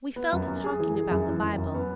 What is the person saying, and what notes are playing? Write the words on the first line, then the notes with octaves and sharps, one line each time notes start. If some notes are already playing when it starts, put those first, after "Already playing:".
We fell to talking about the Bible.
B3
F#2
F#2
G#4
E3
G#4
F#2
E3
F#2
F#2
B3